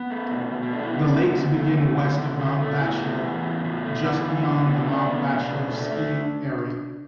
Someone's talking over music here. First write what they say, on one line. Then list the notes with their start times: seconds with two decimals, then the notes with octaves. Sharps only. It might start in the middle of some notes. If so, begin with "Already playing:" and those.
The lakes begin west of Mount Bachelor, just beyond the Mount Bachelor ski area.
Already playing: B3
0.10 A3
0.31 B2
0.51 B2
0.62 B3
0.72 A3 D4
0.84 B3 E4
0.94 A3 B3
1.05 D4
1.14 D3 B3 E4
1.35 D3
1.56 A3
1.77 A3
1.97 D3
2.18 D3
2.39 A3
2.60 A3
2.80 A2 B3 E4
3.02 A3
3.22 E3
3.43 A2
3.64 A2
3.85 A3
4.05 E3 B3 E4
4.26 A2
4.42 B3
4.47 B2 D4
4.57 B3
4.68 B2 D4 F#4
4.78 B3 E4
4.88 A3 D4
5.09 A3 B3
5.29 B2 D4
5.51 B2
5.72 A3
5.92 A3